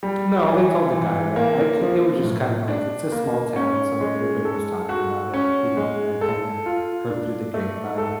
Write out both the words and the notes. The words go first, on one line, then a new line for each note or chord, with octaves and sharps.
No, they told the guy that. I ju it was just kind of like, it's a small town, so everybody was talking about it, you know, and I kinda heard through the grapevine,
G3
E3
E3
A#3
F3
A2
D4
A#3
C#4
G#3
A4
F#4
C#4
G#3
A4
F4
D4
A3
A4